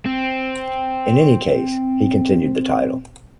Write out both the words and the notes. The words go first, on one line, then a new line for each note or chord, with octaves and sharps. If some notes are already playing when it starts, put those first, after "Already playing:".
In any case, he continued the title.
C4